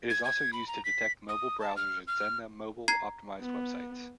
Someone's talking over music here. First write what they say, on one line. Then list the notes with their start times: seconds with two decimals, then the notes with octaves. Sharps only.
It is also used to detect mobile browsers and send them mobile-optimized websites.
0.10 G#6
0.24 G#6
0.53 B5
0.68 A#5
0.85 B6
1.29 D#6
1.61 A5
1.77 F6
2.07 F6
2.88 A#5 G#6 C7
3.41 B3